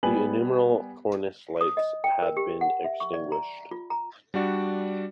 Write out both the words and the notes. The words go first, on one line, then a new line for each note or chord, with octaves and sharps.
The innumerable cornice lights had been extinguished.
G3 B3 G#5 F#7
D#6
D#5
G5
A#4
G4
F#5
E5
C#6
D5
A#5
F4
A#5
G3 D4 F#4 D5